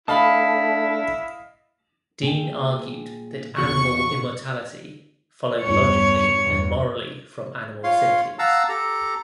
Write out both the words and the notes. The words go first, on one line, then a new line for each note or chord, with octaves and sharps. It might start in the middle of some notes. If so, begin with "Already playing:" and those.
Dean argued that animal immortality followed logically and morally from animal sentience.
A3 D4 E4 D#5 F5 A5 B5
A#2 G#4 G5
E2 A#2 F#4 C#6
E2 G2 C#5 C#7
E2 G2
F4 C#5 F5 C6
F5 F#5 A5 A#5 E6
G4 A4 A#5